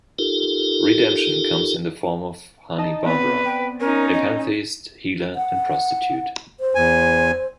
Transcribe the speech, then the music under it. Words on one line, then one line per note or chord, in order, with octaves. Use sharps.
Redemption comes in the form of Honey Barbara - a pantheist, healer and prostitute.
D#4 F4 G4 A4 A#4
D#4 D#5 A5
B3 C4 B4 D5
G5
C#4 D#4 A#4
D#5
F#5
C5
E2 G#5